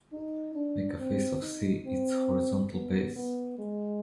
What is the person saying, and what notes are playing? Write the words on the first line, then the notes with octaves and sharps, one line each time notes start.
Make a face of "C" its horizontal base.
D#4
D4
C4
D#4
C4
B3
B3
G#3